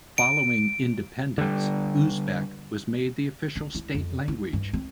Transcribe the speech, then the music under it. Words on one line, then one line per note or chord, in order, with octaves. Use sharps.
Following independence, Uzbek was made the official state language.
D7
D3 G3
D4
E4
F2
E4
G2
C4